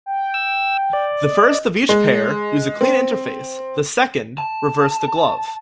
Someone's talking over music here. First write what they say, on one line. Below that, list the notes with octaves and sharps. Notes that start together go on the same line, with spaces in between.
The first of each pair use a clean interface, the second reverse the glove.
G5
E6
D5
D#5
G#3
C4
A5